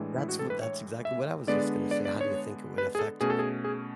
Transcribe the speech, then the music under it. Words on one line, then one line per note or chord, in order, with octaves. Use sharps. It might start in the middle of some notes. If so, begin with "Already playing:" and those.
That's wh that's exactly what I was just going to say, how do you think it would affect,
Already playing: A2 E3 G#3 D4
E4
F#4
A4
B4
C#5
E5
D3 G#3 B3 D4 D5
D5
D5
C#5
B4
G#4
A4
B2 A3 C#4 G#4
A4
G#4
G#4